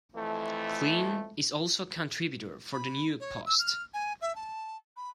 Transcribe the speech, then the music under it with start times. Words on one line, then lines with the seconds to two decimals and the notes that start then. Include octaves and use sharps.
Klein is also a contributor for The New York Post.
0.15 F2 E3 A3
2.72 B5
3.20 C#5
3.46 E6
3.59 F6
3.93 G#5
4.21 E5
4.35 A5
4.96 B5